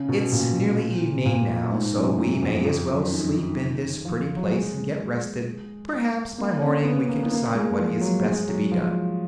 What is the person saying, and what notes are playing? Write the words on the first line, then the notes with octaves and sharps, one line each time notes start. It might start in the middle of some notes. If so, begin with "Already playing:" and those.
"It's nearly evening, now; so we may as well sleep in this pretty place and get rested; perhaps by morning we can decide what is best to be done."
Already playing: C#3
B2
A#2
A#2
G#2
F#2
F#2
F2
F2
F#2
D#3
F3
F#3
G#3
A#3
C#4
B3
A#3
B3
A#3
G#3
F3
F#3
G#3
F#3
F3